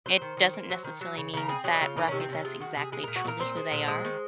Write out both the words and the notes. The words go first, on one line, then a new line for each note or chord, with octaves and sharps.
It doesn't necessarily mean that represents exactly truly who they are
F#3 C5
D#3
D#3
A#3
F#3
D#3
F#3
C#3
C#3 A#4
C4 G#4
F#3 G#4
D#4
C#3 F4
D#3 D#4
C3 C#4
C4
C3 C#4
G#3 F4
D#3 F#4
C3 G#4
G#3 G#4
A#2 A#4
F#4
A#2 A#4
C4 C5
G#3
A#2
G#3
D#3